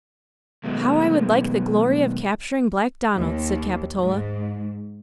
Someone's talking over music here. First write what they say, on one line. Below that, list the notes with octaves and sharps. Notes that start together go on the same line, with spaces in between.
"How I would like the glory of capturing Black Donald!" said Capitola.
B2 D#3 F#3 G#3 A3 B3
D#2
G#2